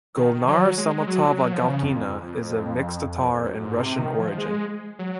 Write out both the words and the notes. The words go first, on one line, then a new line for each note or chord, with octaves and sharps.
Gulnara Samitova-Galkina is of mixed Tatar and Russian origin.
D#3
F#3
G#3
F#3
F#3
F3
C#3
F2
F2
F2
F#2
G#2
C3
D#3
F3
G#3
F#3